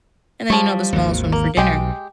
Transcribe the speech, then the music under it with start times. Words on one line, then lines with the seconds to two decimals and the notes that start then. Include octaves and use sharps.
and then, you know, the smallest one for dinner,
0.50 F3 G3 C#5
0.93 G#1 D#2
1.32 A#3
1.57 B1 G#3 G4